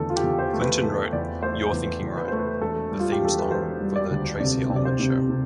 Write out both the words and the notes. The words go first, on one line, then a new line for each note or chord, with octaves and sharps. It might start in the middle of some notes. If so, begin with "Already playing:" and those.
Clinton wrote "You're Thinking Right", the theme song for "The Tracey Ullman Show".
Already playing: E2 D3 A3 A4
F4
G4
E2
C5
A3
B4
E2 A4
E2 D5
A3 C5
E2 B4
E2
B4
A3 C5
B4
E1 A4
G3
F4
G4
E1 A4
B4
E1 C5
G3
D5
D2
C3 D5
C3
D5
C5
C3
C3